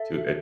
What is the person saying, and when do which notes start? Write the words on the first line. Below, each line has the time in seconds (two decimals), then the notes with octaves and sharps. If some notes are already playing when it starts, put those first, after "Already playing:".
to ach
Already playing: A4 E5